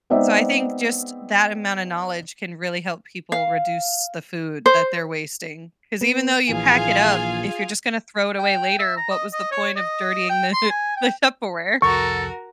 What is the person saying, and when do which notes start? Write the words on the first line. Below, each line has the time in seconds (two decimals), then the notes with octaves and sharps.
So I think just that amount of knowledge can really help people reduce the food that they're wasting. 'Cause even though you pack it up, if you're just gonna throw it away later, what was the point of dirtying the the Tupperware?
0.10 G#3 B3 C4 D#4 D5 E5
3.32 F5
4.66 C5
6.01 B3
6.49 A#1 A#2 E3 F4 G#4 F5
8.39 G5
8.79 E5
8.97 A#5
9.11 D#5
9.33 D#5
9.52 C#5
9.76 D#5
10.30 G5
10.53 C6
10.70 G#5
10.96 G5
11.82 C2 F2 F#4 A4 A#4 C#6